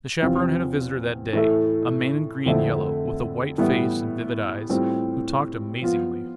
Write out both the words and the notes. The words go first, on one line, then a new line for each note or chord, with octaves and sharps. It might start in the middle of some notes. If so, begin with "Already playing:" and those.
The chaperone had a visitor that day, a man in green and yellow, with a white face and vivid eyes, who talked amazingly.
E2 C3 F3 C4 F4
A2 E3 A3 E4 A4
F2 D3 A3 C4 E4
A2 E3 G3 B3 E4
A2 G3 C4 F4
F3 B3 F4